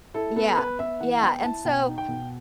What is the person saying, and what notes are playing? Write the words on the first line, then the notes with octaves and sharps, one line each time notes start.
yeah, yeah, and so
E4 A4
B3 A4
B3 B4
B3 E5
E3 F#5
B3 G5
E4 A5
B2 G5
D#4
G5
B2